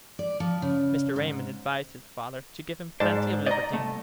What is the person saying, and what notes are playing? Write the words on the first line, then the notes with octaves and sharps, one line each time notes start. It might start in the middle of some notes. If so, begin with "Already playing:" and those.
Mr. Raymond advised his father to give him plenty of liberty.
D5
F3
C#3
G#2
G#2 C5 D5 A5
D5 D#5 A#5
C2 A3